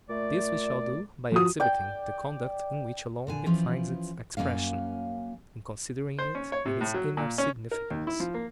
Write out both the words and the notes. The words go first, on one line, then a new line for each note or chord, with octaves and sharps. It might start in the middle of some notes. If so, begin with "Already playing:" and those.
This we shall do by exhibiting the conduct in which alone it finds its expression, and considering it in its inner significance.
A#2 A3 D5
F3 F#4 D#6
D5 G5
A#2 D3 G#5
E3 F3 C#4 E4 F4
F#2 G#3 A#3 C#4 F5
C5
C#4
C#5
C3
A2
F#3
A#2
C#4
A#4
D#2
E4
F3
A#3